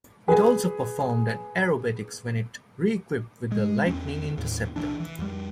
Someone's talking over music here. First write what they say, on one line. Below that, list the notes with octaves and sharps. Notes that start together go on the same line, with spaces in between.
It also performed aerobatics when it re-equipped with the Lightning interceptor.
G#4 B4 G#5
G#3
E2 C4 C#4
D#2 A2
C2 E3 D4
E3
F2 G3